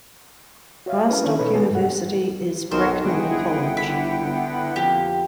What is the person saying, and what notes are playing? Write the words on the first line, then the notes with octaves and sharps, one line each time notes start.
Barstock University is Bracknell College.
F#4 C#5 E5 F5
C#4 E4 B4 F5
D#3 C#4 D4
B2 D#4 A4 B4 C#5 B5
B3 D4 F#4 A4 B4 G#5
G2 F#5
B1 D#3 D#4 F#4 A#4 C5
G1 D#4 E4 G#4 F#5 G5
D3 B5
D3 B3
F2 A#3 G4